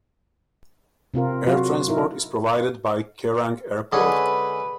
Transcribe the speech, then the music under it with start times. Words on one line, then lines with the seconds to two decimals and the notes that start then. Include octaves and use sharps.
Air transport is provided by Kerang Airport.
1.14 C3 C4 F4 A#4
1.46 F#3 F4 F#4
1.88 D#4 E4 A#4
3.92 D3 G#3 C#4 B4